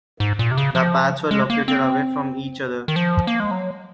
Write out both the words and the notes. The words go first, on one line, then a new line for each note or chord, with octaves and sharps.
The pads were located away from each other.
G#2
A#2
C3
C#3
F3
G#3
A#3
C4
D#3
F3
A#3
G#3
F#3